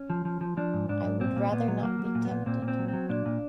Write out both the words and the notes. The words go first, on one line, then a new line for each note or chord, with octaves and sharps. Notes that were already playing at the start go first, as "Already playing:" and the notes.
I would rather not be tempted.
Already playing: C#4
F3
F3
F3
F3 D4
G#2
G#2 D4
G#2
A#2 C4
A#2
A#2 B3
F#3
F#3 A#3
F#3
A#3
A#2
B3
A#2
A#2 C4
A#2
C4
F#3
C4
F#3
A#2 D4
A#2